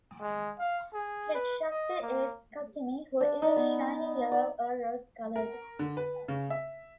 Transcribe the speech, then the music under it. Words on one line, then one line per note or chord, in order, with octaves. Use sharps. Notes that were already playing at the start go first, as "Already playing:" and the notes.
His shakti is Kakini, who is shining yellow or rose-coloured.
G#3
F5
G#4
B4
D#5
A#3
D4
D#4
B3
D5
A#4
D3
B4
C#3
E5